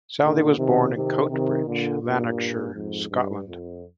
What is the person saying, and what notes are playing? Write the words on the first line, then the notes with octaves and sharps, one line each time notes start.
Sally was born in Coatbridge, Lanarkshire, Scotland.
A#2 D3
C3 D#3
C3 D#3
C3 D#3
A#2 D3
G2 A#2
F2 G#2
G2
F2